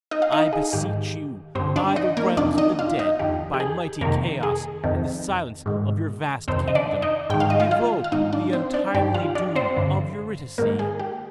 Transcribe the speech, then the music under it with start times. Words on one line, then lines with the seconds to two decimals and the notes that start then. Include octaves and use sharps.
I beseech you, by the realms of the dead, by mighty Chaos and the silence of your vast kingdom, revoke the untimely doom of Eurydice.
0.11 D#4 D#5
0.22 F5
0.32 D#4 D#5
0.53 G#4
0.73 G#2 D#3 G4
1.55 G2 C4 C5
1.60 D3
1.76 D4 D5
1.96 D#4 D#5
2.17 A#3 A#4
2.37 F2 C3 D#3 D4 D5
2.58 D#4 D#5
2.79 F4 F5
2.99 D#4 D#5
3.19 F2 D#3 G4
3.54 G4
3.60 G#4
4.01 F2 C3 D#3 A#3 A#4
4.43 G#4
4.84 F2 C3 D#3
5.66 G#2 D#3
6.48 F2 C3 D#3 C4 C5
6.68 D#5
6.75 D4 D5
7.02 D#4 D#5
7.30 G#2 D#3 G5
7.40 F5
7.50 D#5
7.60 F4 F5
7.71 F4 F5
8.04 F5
8.12 G#2 D#3 D#4 D#5
8.33 D4 D5
8.53 C4 C5
8.74 D4 D5
8.94 G2 G4 G5
8.97 D#3
9.14 F4 F5
9.35 D4 D5
9.55 C4 C5
9.77 G2 D3
10.58 G#2 D#3 A#3 A#4
10.79 G#4
10.99 G4